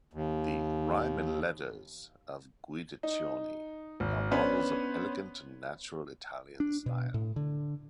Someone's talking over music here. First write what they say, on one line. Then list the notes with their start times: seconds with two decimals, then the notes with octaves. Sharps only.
The "Rime and Letters" of Guidiccioni are models of elegant and natural Italian style.
0.13 D#2
3.03 D#4
4.00 G#1
4.31 B3 C#4 D4 B4 C5
6.60 D4
6.86 B2
7.14 A2
7.36 D3